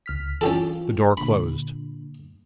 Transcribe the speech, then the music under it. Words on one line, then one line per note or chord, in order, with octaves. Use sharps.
The door closed.
C#2 F6 B6
E3 C#4 F4 G4 A4
A#2 D3 B5